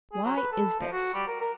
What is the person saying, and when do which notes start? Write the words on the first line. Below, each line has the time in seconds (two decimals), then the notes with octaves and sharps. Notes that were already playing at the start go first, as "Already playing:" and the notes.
"Why is this?"
0.13 G#4
0.24 F#3
0.37 B4
0.52 A4
0.80 F3
0.92 F#4
1.14 G3
1.27 A#4
1.40 A#4